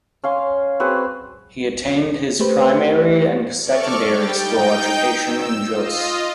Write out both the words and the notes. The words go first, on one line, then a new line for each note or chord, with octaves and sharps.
He attained his primary and secondary school education in Jos.
C#4 F5 C6
C4 F#4 G#4 B4
A3 G4 B4 C5
A4 D5 C#6 D6 F6
G3 G4 G5 A6
D#4 G5 G6
E6
F4 D#5